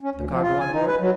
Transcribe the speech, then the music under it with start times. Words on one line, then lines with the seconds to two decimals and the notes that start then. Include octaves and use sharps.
"The cargo on board?"
0.01 C#4
0.15 D2
0.29 F3
0.42 F4
0.60 G#5
0.72 D#4
0.87 B4
1.00 F#3